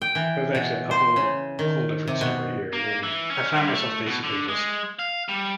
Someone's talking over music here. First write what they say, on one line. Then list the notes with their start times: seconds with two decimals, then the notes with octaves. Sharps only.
it was actually a whole whole different story here, and I found myself basically just
0.02 G5
0.15 E3
0.55 B2
0.91 C5
1.16 C#3
1.59 D#3
2.07 C3
2.21 B2
2.73 A#3
3.03 E3
3.30 C#4
3.55 G2
3.74 A3
4.07 B2
4.24 D3
4.49 G#3
4.99 F5
5.29 G3